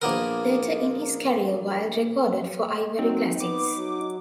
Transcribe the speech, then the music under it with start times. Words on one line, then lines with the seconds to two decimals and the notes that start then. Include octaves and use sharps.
Later in his career, Wild recorded for Ivory Classics.
0.02 A#1 A#3 B3 A#4
2.99 F#3 C4 D#4
3.40 B3 D6
3.77 F#3